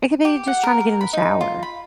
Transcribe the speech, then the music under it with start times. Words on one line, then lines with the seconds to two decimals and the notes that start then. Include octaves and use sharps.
It could be just trying to get in the shower.
0.25 G4
0.47 F#5
0.63 A#4
0.80 A#4
1.01 B5
1.13 D#4
1.41 F4
1.63 B5